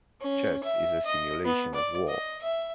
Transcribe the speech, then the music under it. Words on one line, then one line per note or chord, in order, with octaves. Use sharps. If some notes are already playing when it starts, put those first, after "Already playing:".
Chess is a simulation of war.
C#4
E5
D#5
B3
D5
D#5
E5